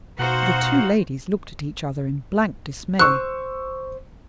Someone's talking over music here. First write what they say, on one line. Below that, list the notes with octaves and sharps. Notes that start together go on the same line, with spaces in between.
The two ladies looked at each other in blank dismay.
B2 D#4 F#4 C5 F5 F#5
C5 C#6 E6 F#6